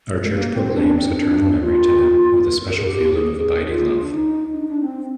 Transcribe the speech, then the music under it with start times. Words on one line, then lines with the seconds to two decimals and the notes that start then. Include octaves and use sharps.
Our Church proclaims eternal memory to him with a special feeling of abiding love.
0.23 G#3
0.32 A#3
0.54 C4
0.74 D4
0.96 C4
1.09 D#4
1.17 D4
1.59 F4
2.69 A#4
2.77 G#4
2.85 G4
3.13 G#4
3.41 G#4
3.69 F4
4.02 D4
4.11 D#4
4.53 D4
4.61 D#4
4.69 D4
4.81 C4